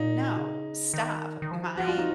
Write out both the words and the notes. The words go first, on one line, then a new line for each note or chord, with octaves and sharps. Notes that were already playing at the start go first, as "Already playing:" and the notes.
No. Stop. My
Already playing: A#2 D#4
C#3
D#3
D#3
F3
F3 F#4
F4
D#4